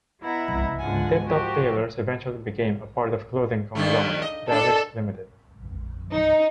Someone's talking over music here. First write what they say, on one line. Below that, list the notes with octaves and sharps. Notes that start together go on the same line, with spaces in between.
Tip Top Tailors eventually became a part of clothing conglomerate Dylex Limited.
B3 E4 D#5 E5 F#5 A#5
G#2 D3 F4 F#5 G#5
F3 F#4 G4
G2 D#3 A3
D#5
D4 A4
D#4